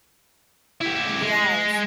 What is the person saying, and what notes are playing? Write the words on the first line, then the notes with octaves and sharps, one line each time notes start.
I In the eyes.
E4 G4
G#3